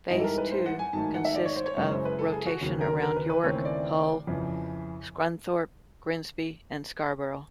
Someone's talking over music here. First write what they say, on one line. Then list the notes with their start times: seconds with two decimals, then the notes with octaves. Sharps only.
Phase two consists of rotation around York, Hull, Scunthorpe, Grimsby and Scarborough.
0.10 G#2 E3 G3 D#5
0.19 A4
0.24 A#4
0.38 B4
0.51 C5
0.66 F#5
0.79 G#5
0.93 G#2 D#3 F#3 A3 A5
1.04 G#5
1.14 F#5
1.25 E5
1.35 D5
1.46 C#5
1.56 C5
1.66 C#5
1.77 F#2 C#3 E3 G#3 C#5
1.91 C5
2.05 B4
2.19 A4
2.32 G#4
2.46 F#4
2.61 D#2 C#3 F#3
2.81 A#4
3.02 A#4
3.16 B4
3.30 B4
3.43 D#2 C#3 E3 A3 C4 C#5
3.65 D5
4.27 F2 C#3 E3